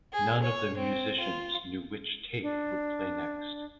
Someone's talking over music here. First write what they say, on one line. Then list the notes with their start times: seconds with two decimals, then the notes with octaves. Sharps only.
None of the musicians knew which tape would play next.
0.13 G#4
0.43 C#5
0.77 C4
1.19 F4
2.42 D4